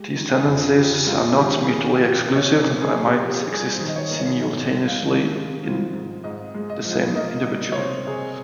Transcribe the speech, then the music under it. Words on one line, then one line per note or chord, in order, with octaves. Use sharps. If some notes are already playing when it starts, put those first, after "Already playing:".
These tendencies are not mutually exclusive, and might exist simultaneously in the same individual.
Already playing: G#3 G4
D#3
G#4
F2
F2 G4
G#3 F4
D#3 G4
A#3 G#4
G4
F3
G4
C3
C#5
C3 A#4
G#4
A#3
G4
F3
G4
G3 G#4
C5
D#3
D#5
C#5
A#3
C#5
G#2 D#5
G3
F5
D#3
G#3
F3
G#2
G#2 D#5
G#3
D#5
F3
A#3 D#5
G3 D#5
C#5
C3 C5
C3 G#4